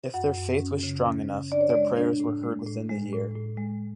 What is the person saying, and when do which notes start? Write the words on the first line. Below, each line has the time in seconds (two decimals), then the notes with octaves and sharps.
If their faith was strong enough, their prayers were heard within the year.
0.14 F#2 F#5
0.37 F#2
0.60 C#4
0.83 C#3
1.06 C#4
1.29 C#3
1.52 D4 D5
1.61 C#5
1.70 D5
1.75 G#3
1.97 D4
2.20 A2
2.43 G#3
2.67 A2
2.89 G#3
3.13 A2
3.35 A2
3.57 G#3